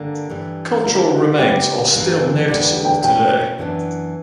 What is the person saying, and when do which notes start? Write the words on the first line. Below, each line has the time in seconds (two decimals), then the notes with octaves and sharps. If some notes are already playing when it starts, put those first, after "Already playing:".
Cultural remains are still noticeable today.
Already playing: G2 D3 A#3
0.30 G2 E3 G3
0.84 D3 G3 A#3 E4 A#4
1.12 F#4
1.39 C#3 G3 B3 G4
1.94 G2 E3 A#3
2.49 E2 D3 G3 B3 D5
2.85 G5
3.04 B2 A#3 C#4 G5
3.58 F#2 E3 B3 D4